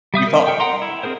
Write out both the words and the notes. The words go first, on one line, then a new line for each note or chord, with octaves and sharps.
you felt
G3 E5 D#6 G6
A#4
A4 A#4 G5
F#5 G5 A#5 C6
E4
C4 G#4 A#4 C5